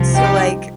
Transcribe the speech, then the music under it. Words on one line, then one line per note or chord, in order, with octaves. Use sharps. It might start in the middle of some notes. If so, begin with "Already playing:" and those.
So like
Already playing: C2 C3 F3
D#4 G4